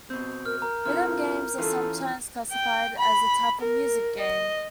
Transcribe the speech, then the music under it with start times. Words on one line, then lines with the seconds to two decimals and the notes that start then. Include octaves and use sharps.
Rhythm games are sometimes classified as a type of music game.
0.10 B2 C4 G6
0.46 A#4 F6
0.62 A#4 A#5
0.86 C3 E4 F4 A4 F6
1.58 E3 C#4 F4 A4
2.51 G5
2.98 B5
3.60 A#4
4.18 D#5